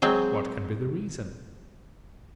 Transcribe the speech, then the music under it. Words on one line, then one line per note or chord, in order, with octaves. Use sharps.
What can be the reason?
F#3 G#3 C4